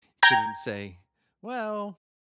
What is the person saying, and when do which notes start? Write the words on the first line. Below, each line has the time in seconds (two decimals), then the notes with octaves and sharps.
you couldn't say, "Well,
0.23 G5 A#5 G6 G#6